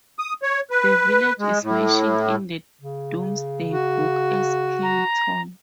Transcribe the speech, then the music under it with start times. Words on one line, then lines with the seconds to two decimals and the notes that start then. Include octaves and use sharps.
The village is mentioned in the Domesday Book as "Kington".
0.19 D#6
0.43 C#5
0.71 B4
1.40 G#3
1.63 A2
2.81 C#3
3.72 F#4
4.83 A#5